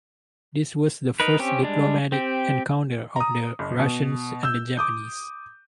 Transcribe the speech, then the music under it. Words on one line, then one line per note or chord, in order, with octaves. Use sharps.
This was the first diplomatic encounter of the Russians and the Japanese.
D#4 A#4 B4
C4 C#4 G4
G3 G#3 D4
C4 G4
A#5 D#6
F#1
B2
E6 G6
D6 D#6 G6